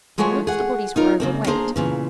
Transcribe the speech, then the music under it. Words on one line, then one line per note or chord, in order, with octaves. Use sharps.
But none of the bodies were overweight.
F3 G#3 A3 F#4 G#4 C#5
G#4 F#5
D#4 F4 A#4
C#3 A#3 C4
A#3 D4 G#4 C5 A#5
A#2 C#3 E3